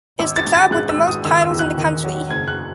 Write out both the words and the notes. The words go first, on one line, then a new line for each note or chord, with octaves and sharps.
It’s the club with the most titles in the country.
G#1 E6
A6
G#1
A6
G#2 F#6
E6
G#1
D#6
D#3 E6
E6
E2
F#6
D#3
F#3
F#1 G#6
F#6